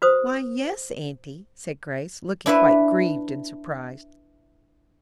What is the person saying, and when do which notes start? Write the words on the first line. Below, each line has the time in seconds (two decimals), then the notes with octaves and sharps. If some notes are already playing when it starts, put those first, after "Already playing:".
"Why, yes, auntie," said Grace, looking quite grieved and surprised.
0.02 F#4 B4 C5 D#6
2.46 D4 E4 B4 E5